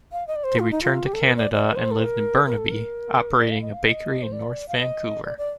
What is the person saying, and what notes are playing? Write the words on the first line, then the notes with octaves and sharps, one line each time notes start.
They returned to Canada and lived in Burnaby, operating a bakery in North Vancouver.
F5
D#5
D5
C5
F4
D#4
F4
G4
A4
A#4
D5
D5
A#4
C5
A4
C5
A#4
A#4
A4
A#4
D5
F5
D#5
F5
D#5
C5
D5
F5
D#5
D5
D5